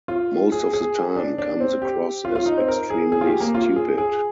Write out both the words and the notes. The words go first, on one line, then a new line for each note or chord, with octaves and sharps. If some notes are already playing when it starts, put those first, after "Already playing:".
Most of the time comes across as extremely stupid.
F4
G#4
G#4
D4
D4
C4
G4
F4
F4
D#4
C4
A#4
G#4
G#4
F4
G4
A#3
F4
G#4
G#4